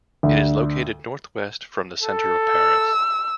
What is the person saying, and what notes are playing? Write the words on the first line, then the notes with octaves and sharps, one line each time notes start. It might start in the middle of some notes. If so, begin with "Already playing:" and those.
It is located northwest from the centre of Paris.
D2
A4
E6